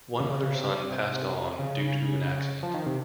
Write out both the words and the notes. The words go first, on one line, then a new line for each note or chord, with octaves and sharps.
One other son passed on due to an accident.
C#3
C#3
C#3
C3
C#3
F3
D#3
C3